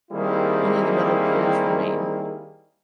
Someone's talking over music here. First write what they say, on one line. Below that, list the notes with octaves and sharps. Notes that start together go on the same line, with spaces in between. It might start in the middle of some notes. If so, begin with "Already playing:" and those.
Only the metal piers remain.
D#3 G3 A#3 C4 E4 G#4